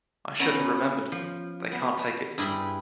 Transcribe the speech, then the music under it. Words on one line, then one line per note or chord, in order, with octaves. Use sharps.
I should have remembered, they can't take it.
B3 C#4 E4 A#5
F3
B3
G2 E4 G#4 C5 B5